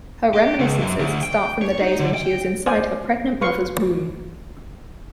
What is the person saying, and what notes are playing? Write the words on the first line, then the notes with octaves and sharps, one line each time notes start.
Her remniscences start from the days when she was inside her pregnant mother's womb.
G4
C#2
F#2
D2
G5
C#5
D#4
D3
G5
C5 D5 G#5
B4 F5 C6 C#6